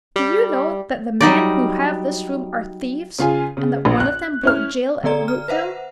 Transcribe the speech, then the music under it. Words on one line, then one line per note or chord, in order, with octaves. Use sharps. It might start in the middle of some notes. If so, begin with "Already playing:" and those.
"Do you know that the men who have this room are thieves, and that one of them broke jail at Rootville?"
G3
F#3 G3 D#4 D5
C#3 F4 G#5
C#3
A#1
F#6
C#4 E4 F6
D3 B3 A4 D5 A#5
F6
B4 C5 E5 F#5